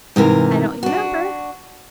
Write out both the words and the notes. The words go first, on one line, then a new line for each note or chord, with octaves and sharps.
"I don't remember."
G#2 C3 E3 A#4
D4 F#4